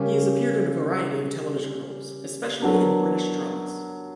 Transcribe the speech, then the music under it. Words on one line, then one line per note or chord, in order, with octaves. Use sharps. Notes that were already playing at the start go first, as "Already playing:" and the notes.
He has appeared in a variety of television roles, especially in British dramas.
Already playing: C#3 G3 C#4 G4 A#4
F#3 B3 D4 A#4